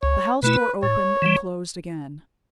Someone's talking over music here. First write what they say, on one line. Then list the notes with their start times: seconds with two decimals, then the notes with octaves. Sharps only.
The house door opened and closed again.
0.02 C#2 C#5
0.43 B2 A3 E4 B4
0.82 A2 C#5
1.22 E3 G3